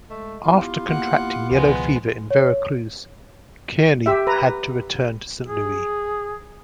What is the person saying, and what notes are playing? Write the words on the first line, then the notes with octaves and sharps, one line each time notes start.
After contracting yellow fever in Veracruz, Kearny had to return to Saint Louis.
G#3 A3
B3 E4 F4 G4
A#3 F#5
C#2 B2 D#3 F3 G#3 B3
C#5
G4 E5
B4 A#5
G#4